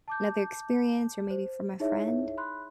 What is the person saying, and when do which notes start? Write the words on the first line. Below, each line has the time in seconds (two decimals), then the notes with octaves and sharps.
another experience or maybe from a friend?
0.08 A5 D6 G6
1.30 C5
1.80 D#4 E4 G#4 C#5 E5
2.38 B5 C6 F#6